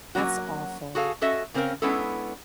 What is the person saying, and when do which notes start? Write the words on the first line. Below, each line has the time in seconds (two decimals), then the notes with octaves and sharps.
That's awful.
0.15 F#3 G#3 A#3 C#4 F#4
0.95 F#4 G#4 A4 F5
1.21 C#4 F#4 A4 D#5 E5
1.54 C#3 A#3 C4 C#4 A#4 F5
1.82 G#3 B3 C#4 D4 E4 A4